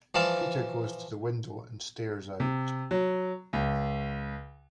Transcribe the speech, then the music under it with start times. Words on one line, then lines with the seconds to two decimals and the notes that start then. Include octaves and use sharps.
Peter goes to the window and stares out.
0.15 E3 F3 D5 F5 A5
2.40 C3
2.91 F#3
3.53 C#2